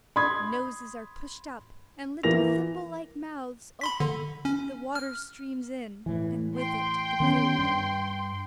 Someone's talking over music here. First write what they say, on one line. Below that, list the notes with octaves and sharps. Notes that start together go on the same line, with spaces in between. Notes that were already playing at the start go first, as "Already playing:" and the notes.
Noses are pushed up, and little thimble-like mouths open; the water streams in, and with it the food.
B5 C6 D#6 G#6
E3 A#3 A#6 F7
B5 C6 B6
D3
C#4
F6
A2 E3
G5 C6
D#3 B3 C#4
G2